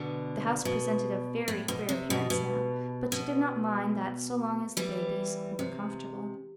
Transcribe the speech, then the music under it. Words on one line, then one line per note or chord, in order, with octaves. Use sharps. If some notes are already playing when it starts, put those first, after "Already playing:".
The house presented a very queer appearance now, but she did not mind that so long as the babies were comfortable.
Already playing: B2 D3
B2
A2
B2
C3
B2
B2
B2
E3 G3
C3